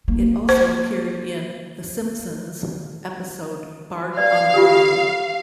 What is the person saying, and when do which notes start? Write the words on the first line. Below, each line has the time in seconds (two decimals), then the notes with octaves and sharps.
It also appeared in "The Simpsons" episode Bart on the Road.
0.08 A#3
0.49 C5
4.17 B4 D5 F5
4.54 F4 G4 A4